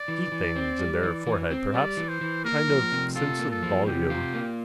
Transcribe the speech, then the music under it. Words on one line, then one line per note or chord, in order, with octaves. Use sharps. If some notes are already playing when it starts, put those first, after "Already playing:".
See things in their forehead perhaps: kind of sense of volume.
Already playing: D5
E3
E3
C4
G3
E3
E3
C4
G3 D5
E3
C5
E3
A#3 A#4
F3
C3
F4 A4
A#3
A4
F3
C3 G4
F4
A#3